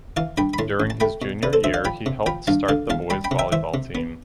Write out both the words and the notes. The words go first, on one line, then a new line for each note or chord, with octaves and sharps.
During his junior year he helped start the boys volleyball team.
E3 F5 A5
G2 G5 B5
B5
A2 A5 C6
A1
A5
A3 G5 B5
B2
C3 B4 D5
A4 C5
D2 C5 E5
D5 F5
F3 G5 B5
C3
F3 G5 B5
G2 F5 A5
D3 F5 A5
E2 F5 A5
G3 G5 B5
G5 B5
C3
E5 G5
E3 C5 E5
C3
B3